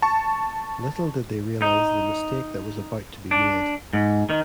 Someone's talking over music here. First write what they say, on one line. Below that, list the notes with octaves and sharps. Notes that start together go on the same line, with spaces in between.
Little did they realize the mistake that was about to be made.
A5 C#6
D#4
D4
G#2
D#3